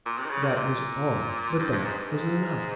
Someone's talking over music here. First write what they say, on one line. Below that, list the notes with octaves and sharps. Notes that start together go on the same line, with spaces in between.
That was all, but that was enough.
A#2
C3
D#3
C#3
C3
A#2
G2
G2
G#2
G2
G#2